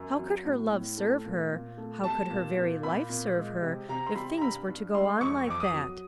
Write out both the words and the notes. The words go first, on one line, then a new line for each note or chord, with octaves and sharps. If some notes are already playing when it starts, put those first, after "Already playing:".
How could her love serve her,--how could her very life serve her, if things were to go on like that?
Already playing: F#2
F#3
A2
A2
A3
A#2
A#2
A3
G3 A5
A#2
A#2
A#2 B5
A#2
G#3
C3
C3 A#5
C6
G3 B5
A#5
G2 B5
G2
G#3 C6
F2 C#6
F2 D6
D#6
F#3